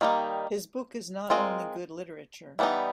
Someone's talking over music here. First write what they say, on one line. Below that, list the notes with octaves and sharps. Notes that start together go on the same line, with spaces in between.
His book is not only good literature.
D#3 G3 A#3 D#4
G#3 C4 F4 A#4 D#5
E3 G3 B3 D#4